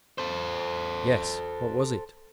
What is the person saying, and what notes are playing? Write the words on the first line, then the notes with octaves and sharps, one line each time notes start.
"Yes, what was it?"
A4 C5